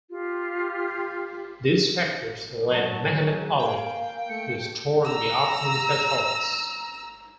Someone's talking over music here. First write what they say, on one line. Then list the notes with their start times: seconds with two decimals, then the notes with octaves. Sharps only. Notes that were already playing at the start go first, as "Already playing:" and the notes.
These factors led Mehemet Ali to storm the Ottoman territories.
0.09 F4 G4
2.71 F#3 A5
3.10 G#3 G#5
3.59 A#3 F5 G5
4.29 A3 C#7
5.04 A#5 E6